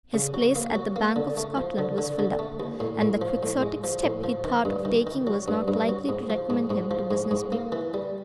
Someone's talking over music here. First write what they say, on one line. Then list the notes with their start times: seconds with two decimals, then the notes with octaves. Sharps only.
His place at the Bank of Scotland was filled up, and the quixotic step he thought of taking was not likely to recommend him to business people.
0.14 C#3
0.34 F#3
0.56 A#3
0.75 F#3
0.96 A#3
1.16 D3
1.37 A3
1.57 F3
1.78 D3
1.98 D3
2.19 D3
2.39 A3
2.60 D#2
2.80 A2
3.02 A2
3.21 F3
3.43 A2
3.62 G#3
3.84 F3
4.03 A2
4.24 F3
4.45 D#3
4.65 G2
4.85 D#3
5.07 D#3
5.27 F#3
5.48 G2
5.68 G2
5.89 F#3
6.09 G#2
6.30 F3
6.50 G#2
6.70 G#2
6.91 F3
7.11 G#2
7.31 G#2
7.52 A#3
7.72 E3
7.94 G3